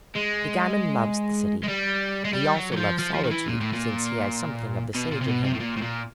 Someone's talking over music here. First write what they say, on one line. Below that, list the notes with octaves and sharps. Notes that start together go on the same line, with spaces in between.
The gamin loves the city, he also loves solitude, since he has something of the sage in him.
G#3
G#3
G3
G#3
G3
F#3
F#3
F3
F3
F3
D#3
E3
A#2
A2
A#2
B2
A#2
C3
B2
C3
A2
A#2
A2
A#2